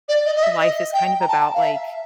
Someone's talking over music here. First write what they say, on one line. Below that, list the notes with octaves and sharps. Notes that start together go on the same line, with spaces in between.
life is kind of about, like,
D5
D#5
D#5
E5
D#5
G5
A#5
A5
F5
E5